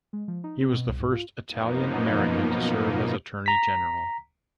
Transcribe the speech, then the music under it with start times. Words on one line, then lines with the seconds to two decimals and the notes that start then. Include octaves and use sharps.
He was the first Italian American to serve as Attorney General.
0.13 G#3
0.28 F3
0.44 D#4
0.61 C4
0.74 B2
0.88 C2
0.99 G#2
1.12 F4
1.48 F#2 B2 F3 A#3 B3 D#4
3.46 A#5 B6